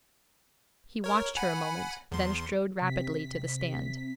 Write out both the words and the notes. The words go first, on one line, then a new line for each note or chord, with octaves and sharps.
He watched her a moment, then strode rapidly to the stand.
A#4 C#5
F#5 G#5 B5
E2 C6
C3 B6